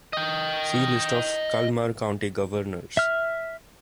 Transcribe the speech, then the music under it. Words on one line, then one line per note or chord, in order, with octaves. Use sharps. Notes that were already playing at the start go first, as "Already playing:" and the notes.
See List of Kalmar County Governors.
D#5 G5
E5 F6